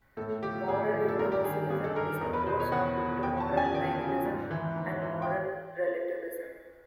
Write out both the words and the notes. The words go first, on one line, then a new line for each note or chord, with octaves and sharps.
Moral universalism is opposed to moral nihilism and moral relativism.
A2 A4
F3 G4
A2 G#4
F3
A4
G2 A#4
G4
D#3 G#4
G2 G#4
A4
D#3 A#4
E2 A#4
B4
B2 C5
C#5
E2 F#5
B2
E2 G5
A5
C#3 F3
G#5
E2 G5
C#3 F3
G#2
E3
G#2
E3
G5